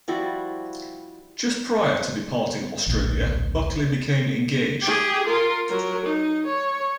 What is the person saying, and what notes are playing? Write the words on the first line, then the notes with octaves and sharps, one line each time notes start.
Just prior to departing Australia, Buckley became engaged.
F3 G3 E4 F#4
D1 A#1
G4 G#4
F4 A#4
F#3 A#4
D#4
C#5